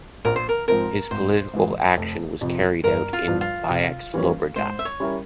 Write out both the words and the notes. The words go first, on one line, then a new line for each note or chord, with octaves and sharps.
His political action was carried out in Baix Llobregat.
A#1 A#4
C5
A#4
G#2 F3 C4 A#4
G#1 C5
G#2 E3
F1
F2 C3 F3
G1 A#4
F4
G2 F3
F4
C3
E3 G3 A#3 C#4
G#2 C5
E5
C#5
G3 C#4 E4 A#4